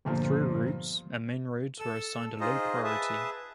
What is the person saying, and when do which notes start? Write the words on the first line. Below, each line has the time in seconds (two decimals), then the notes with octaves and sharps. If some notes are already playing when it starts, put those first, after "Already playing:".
Through-routes and main roads were assigned a low priority.
0.05 G1 A#2 F3
1.80 A4 E6
2.41 D#4 F4 G#4 C5 D#5
2.84 G#4 B4 E5 A5